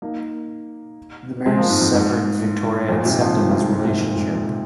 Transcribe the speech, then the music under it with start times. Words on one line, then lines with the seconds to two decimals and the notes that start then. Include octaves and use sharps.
The marriage severed Victoria and Septima's relationship.
0.02 A#3 D#4
1.46 G#3 C4
1.58 F3 A#3
1.70 G#2
1.81 F2
1.94 G#2
2.89 F2 A#2
3.05 G#2 C3
3.21 C3 F3
3.36 A#2 D#3
3.48 G#2 C3
3.61 G#2 C3
3.73 G#2
3.84 G#2 C3
4.00 F2 A#2
4.16 G#2
4.33 F2